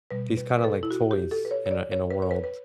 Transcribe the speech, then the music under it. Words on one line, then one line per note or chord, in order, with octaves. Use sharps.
these kinda, like, toys in a in a world,
B2 G3 B4
B4
B4
A4
E4
F#4
G4
A4
B4
C#5
C#5
D5
C#5
B4
C#5
B4
B4